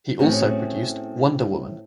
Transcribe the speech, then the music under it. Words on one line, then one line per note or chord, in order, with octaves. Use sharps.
He also produced "Wonder Woman".
A2 C4 C#4 F#4 G#4